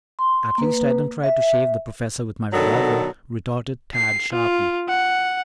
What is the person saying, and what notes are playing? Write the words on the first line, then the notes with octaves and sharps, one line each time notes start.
"At least I don't try to shave the professor with my revolver," retorted Tad sharply.
C6
A#3 B4
E5
B2 D3 D#3 F#3 A4
C7
F4
F#5